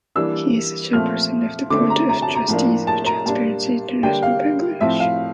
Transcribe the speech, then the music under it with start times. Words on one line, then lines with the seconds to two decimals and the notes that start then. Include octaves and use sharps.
He is the chairperson of the Board of Trustees of Transparency International Bangladesh.
0.15 E3 G3 A#3 D4 E6
0.93 A#2 F3 A3 C4 F6
1.70 D3 A3 C4 D6
1.90 A#5
2.09 A#5
2.22 A5
2.35 A#5
2.48 A2 F3 A#3 D4
2.87 A5
3.06 A#5
3.26 A#2 G3 A#3 D4 A5
4.03 D3 G3 A#3 D4 G5
4.22 F5
4.81 A2 F3 C4 E5
5.00 F5